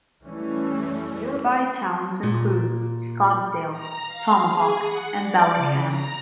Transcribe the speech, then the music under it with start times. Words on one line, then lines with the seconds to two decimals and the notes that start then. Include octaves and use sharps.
Nearby towns include Scottsdale, Tomahawk and Bellingham.
0.24 E3 G3 A3 C#4
2.23 A#2
3.71 A#5
4.05 F5
4.46 G#4
4.82 F#5
5.19 D5
5.56 C#3
5.87 A#5